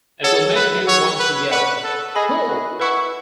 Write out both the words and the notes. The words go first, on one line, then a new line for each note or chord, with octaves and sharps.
It'll make you want to yell 'Woooh!
G#4 A4 C#5 F#5
B4
C#5 F#5 C#6 E6
B4
B4 F#5 C#6 F#6
A4
G#4 A4 D#5 G#5 B5
F#4
E4 B4 F#5 C#6